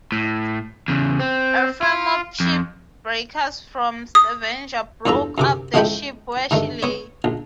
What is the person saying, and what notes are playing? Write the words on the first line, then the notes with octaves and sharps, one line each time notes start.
A firm of shipbreakers from Stavanger broke up the ship where she lay.
A2
E2 C#3
C4
F4
F2
D#6
E2 G2 F3 A4 A#5
F#2 C3 D6
A1 F3 G#3 A3 G5 B5
G2 D#3 A3
B3 C#5
A#1